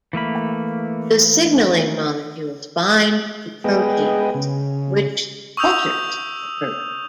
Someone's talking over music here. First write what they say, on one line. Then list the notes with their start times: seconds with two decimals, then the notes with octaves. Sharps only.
The signaling molecules bind to proteins, which alters the protein.
0.13 E3 A3 A#3 B5
3.64 G#3 B3 G#4 B4 D#5 G5
4.34 C#3
5.57 C#6 D#6 E6 G6 F7